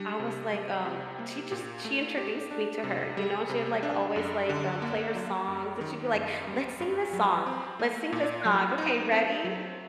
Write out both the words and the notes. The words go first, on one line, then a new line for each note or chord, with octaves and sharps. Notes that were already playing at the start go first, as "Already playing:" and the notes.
I was like, um she just she introduced me to her, you know? And she had, like, always, like, um, play her songs, and she'd be like, "Let's sing this song. Let's sing this song. Okay, ready?"
Already playing: G3 D4
C3
G3
C3
A#3
A#2
A3
G4
D4
C3
G3
C3
D4
F#2
D3
A#3
F#3
F#2
D#3
F#2
G3
G2
F#3
C4
A3
A#2
F#3
D#4
C4
F#3